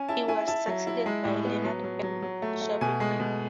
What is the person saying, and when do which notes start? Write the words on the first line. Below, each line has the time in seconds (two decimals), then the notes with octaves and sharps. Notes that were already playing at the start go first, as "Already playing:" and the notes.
He was succeeded by Lenard M. Shavick.
Already playing: C#4 G#5
0.09 E4 A5
0.28 E4 G#5
0.47 E4 A5
0.67 F#3
0.87 E4
1.06 G#3
1.25 A2
1.45 B3
1.65 F#3
1.84 F#3
2.03 F#3
2.22 F#3
2.42 A3
2.61 A3
2.81 B2 G#5
3.00 G#3
3.20 B2